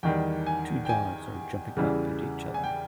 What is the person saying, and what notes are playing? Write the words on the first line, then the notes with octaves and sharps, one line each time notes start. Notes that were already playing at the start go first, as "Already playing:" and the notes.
Two dogs are jumping up at each other.
E2 D#3 G3 G5
G#5
G5
G#5
E2 C#3 E3 G3
G#5
G5